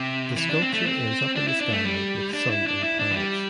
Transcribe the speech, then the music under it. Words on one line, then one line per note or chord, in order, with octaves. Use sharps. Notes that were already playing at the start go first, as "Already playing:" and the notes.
The sculpture ends up in the skylight with sun and planets.
Already playing: C3
E3
D4
C4
A3
C4
D4
E4
D4
A3
G3
D4
E4
D4
E4
D4
E3
G3